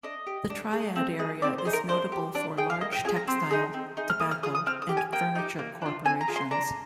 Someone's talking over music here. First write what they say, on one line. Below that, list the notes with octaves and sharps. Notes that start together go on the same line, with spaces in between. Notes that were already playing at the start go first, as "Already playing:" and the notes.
The Triad area is notable for large textile, tobacco, and furniture corporations.
D4 D#5
G4
D4
G#4
C4
D#4 G#4
C4 D5
C5
D#4 G#4
A#4
D4 C5
G4
D4 D5
G#4 G5
F5
A#3 D#5
G5
D4 F4 G#4 G#5
A#5
C4 C6
D#4 G#4
C4
D#4 G#4
F6
A#3 D#6
F6
F4 G#4 D#6
D#6
C4 F6
D#6
G4
G#5
A#3 G5
D#4 G4
A#3
D4 F4
C4 G#5
A#5
F4 G#4
C6
D4 A#5